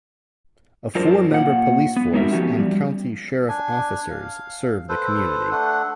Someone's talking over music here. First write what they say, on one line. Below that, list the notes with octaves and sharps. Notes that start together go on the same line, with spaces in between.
A four-member police force and county sheriff officers serve the community.
F#2 D4 F4 A#4 C5
A#2 F#5
B3
G#3 C4 D#4 F#4 A#4 E5
F3 B3 C#4 F#4 G4
G3
D4 G#5
F5
A4 B4 C5
A3 D4 A4 F#5